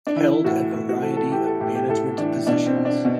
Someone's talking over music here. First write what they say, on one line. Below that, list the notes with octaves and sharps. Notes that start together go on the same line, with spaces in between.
Held a variety of management positions.
D4
E3 E4
A2 F#4
A2
F#4
E3 A4
A4
E3 G4
A4
A2 G4
G4
A2 A4
E3 D4
B2 D4
C4
B2
D4
B2